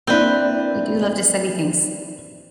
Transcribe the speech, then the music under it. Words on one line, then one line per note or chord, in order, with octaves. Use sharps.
We do love to study things.
A#3 C4 D4 E4 B4